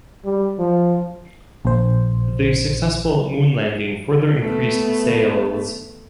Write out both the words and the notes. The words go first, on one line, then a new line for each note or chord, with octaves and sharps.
The successful moon landing further increased sales.
G3
F3
A#1 C5
A3 B3